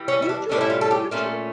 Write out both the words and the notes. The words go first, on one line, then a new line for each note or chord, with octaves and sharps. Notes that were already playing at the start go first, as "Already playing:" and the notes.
You too? You too?
Already playing: E3 G3
C#4
E4
D4
A2 G3 C#4 D4
E4
F4
A4
G4
A#2 A3 C#4 F4